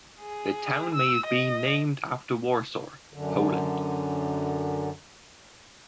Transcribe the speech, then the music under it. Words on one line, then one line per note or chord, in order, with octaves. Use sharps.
The town may have been named after Warsaw, Poland.
G#4
E6
D#5
F#2 D3